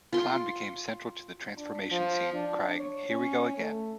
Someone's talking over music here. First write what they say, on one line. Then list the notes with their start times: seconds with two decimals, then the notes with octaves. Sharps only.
Clown became central to the transformation scene, crying Here we are again!
0.13 F4 C6
1.58 D4
1.91 F3
2.34 D4
2.79 C#5
3.10 C#4
3.57 A3